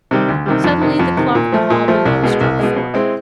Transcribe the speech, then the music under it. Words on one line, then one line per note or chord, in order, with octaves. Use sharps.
Suddenly the clock in the hall below struck four.
C3 D#3 G3
D2
C3 D#3 G3
F2
C3 D#3
F2
C3 D#3
A#2
F3 A3
A#2
F3 A3
C2
B2 G#3
C2
B2 G#3
B2
G#3 C4 E4